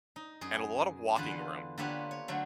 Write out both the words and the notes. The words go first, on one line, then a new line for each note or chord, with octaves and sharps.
and a lot of walking room.
D#4
F#2 G#4
E2 D3 F4 B4
D3 A#3 F4 G4 B4 C#5
C#5
D3 F#3 A3